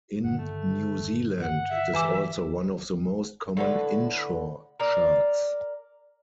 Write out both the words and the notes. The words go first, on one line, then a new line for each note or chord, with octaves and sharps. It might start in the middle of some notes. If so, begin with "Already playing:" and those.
In New Zealand, it is also one of the most common inshore sharks.
G2 D3 D#3 F#5
A3
F#5
E5
E3 G4 G#5 D6
A2 D3 B4
A#4 D5